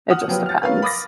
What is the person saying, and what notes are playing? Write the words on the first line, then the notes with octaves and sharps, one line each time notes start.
it just depends.
F#5 D#6 F6
F3 F#3 G4 B4
F6 A6
A#4 B4 C#5 F5
B5 D6 D#6 A6 A#6